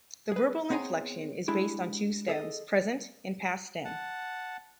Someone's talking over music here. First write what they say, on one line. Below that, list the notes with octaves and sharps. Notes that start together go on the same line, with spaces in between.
The verbal inflection is based on two stems: present and past stem.
G#4 B4
B3 C4 G#4 C#5 G#5 A#5
G#3 D4 E4 G4
G#4 A4 D#5
F#5 A5